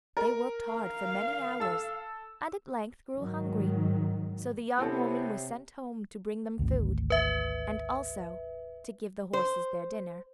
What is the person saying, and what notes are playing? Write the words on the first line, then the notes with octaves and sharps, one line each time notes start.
They worked hard for many hours, and at length grew hungry, so the young woman was sent home to bring them food, and also to give the horses their dinner.
A#4
F5
A4 E6
G#2 D#3 F#3
C3 B3 C4 E4 G4 A4 C5 C#5
G#1 D2
B4 E5
C5